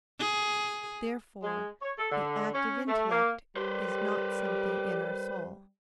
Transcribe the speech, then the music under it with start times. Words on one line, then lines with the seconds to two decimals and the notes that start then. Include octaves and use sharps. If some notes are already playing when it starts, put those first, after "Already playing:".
Therefore the active intellect is not something in our soul.
0.20 G#4
1.43 G#3
1.82 C#5
1.99 A4
2.11 D3
2.53 C#4
2.88 A3
3.11 A#3
3.56 G3 G4 B4 C5